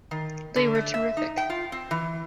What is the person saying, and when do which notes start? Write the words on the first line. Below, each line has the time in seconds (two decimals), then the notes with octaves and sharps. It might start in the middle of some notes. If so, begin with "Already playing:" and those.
They were terrific.
0.11 D#3
0.56 D3
0.75 A3
0.94 E5
1.17 D#4
1.37 G5
1.50 F4
1.72 C4
1.91 E3